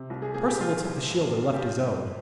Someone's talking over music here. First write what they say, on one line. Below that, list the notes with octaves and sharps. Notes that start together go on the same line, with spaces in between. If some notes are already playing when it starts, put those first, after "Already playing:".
Perceval took the shield and left his own.
Already playing: C3
C2
G#4
A#2 G#4
G4
A#2 F4
C2
G2
D#3
G4
G2 F4
G2